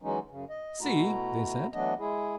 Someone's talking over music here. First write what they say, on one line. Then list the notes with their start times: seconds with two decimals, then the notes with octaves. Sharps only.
"See!" they said.
0.02 E3 F#3 G#3 C#4 D#4
0.31 F#2 C#3
0.50 D#5
0.81 B2 A3 E4 F#4 A#5
1.73 E3 F#3 A3 B3 D4 D#5
1.99 G#3 E4 G#4